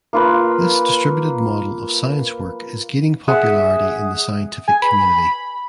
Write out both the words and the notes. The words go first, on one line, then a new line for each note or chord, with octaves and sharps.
This distributed model of science work is gaining popularity in the scientific community.
A#3 F4 B4
G#4 E5 F#5
G#5
B5